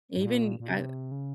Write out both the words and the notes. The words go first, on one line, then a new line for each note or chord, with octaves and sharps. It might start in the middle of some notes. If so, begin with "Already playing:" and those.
even I
G#2
A#2
A#2
C3
C#3